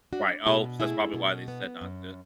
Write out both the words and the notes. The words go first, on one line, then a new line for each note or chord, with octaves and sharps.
Right oh, so that's probably why they said not to.
D4 F#4
B2 E4 G#4
A3 E4 G#4
B2
B3
F#2